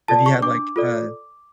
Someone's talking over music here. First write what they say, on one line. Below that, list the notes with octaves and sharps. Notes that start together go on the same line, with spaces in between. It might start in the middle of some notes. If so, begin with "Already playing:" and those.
Have you had, like, uh,
F4 A4 D5 A5
C#6
D4 D6
F4 A4 D5